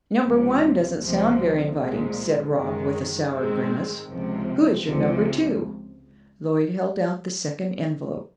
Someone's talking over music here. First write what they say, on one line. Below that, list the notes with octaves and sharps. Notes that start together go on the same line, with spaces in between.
"Number one doesn't sound very inviting," said Rob, with a sour grimace. "Who is your number two?" Lloyd held out the second envelope.
C#2 C3 F3
C#2 C3 F3
C2 A#2 F3 G#3
F#2 D#3 G#3
G#2 D#3 G#3 C4
C#2 C3 F3
C#2 C3 F3